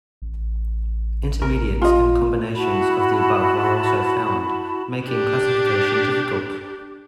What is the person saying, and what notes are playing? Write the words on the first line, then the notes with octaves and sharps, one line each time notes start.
Intermediates and combinations of the above are also found, making classification difficult.
A1
A#4
F4 D#5
E4 F#4 A5 B5
D4 G4